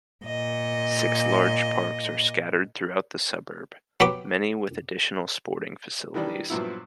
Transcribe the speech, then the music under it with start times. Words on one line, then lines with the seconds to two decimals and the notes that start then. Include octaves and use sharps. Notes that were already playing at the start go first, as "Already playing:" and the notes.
Six large parks are scattered throughout the suburb, many with additional sporting facilities.
0.25 A#2 D#5
4.00 F#3 B3 G4 D6
6.14 D#3 E3 G3 D4
6.50 G2 A#2 F3 F#3 B3 E4